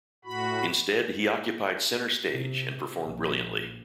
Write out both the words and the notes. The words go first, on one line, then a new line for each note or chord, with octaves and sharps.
Instead, he occupied centre-stage and performed brilliantly.
A2 F#4 B5
C3
A#1